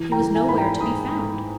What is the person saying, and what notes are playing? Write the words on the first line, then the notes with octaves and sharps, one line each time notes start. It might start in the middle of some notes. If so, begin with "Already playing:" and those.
She was nowhere to be found.
Already playing: E3
G5 A#5
E3
E5 G#5
G#2 B5
G5 A#5
G#2 B5 D#6
G#2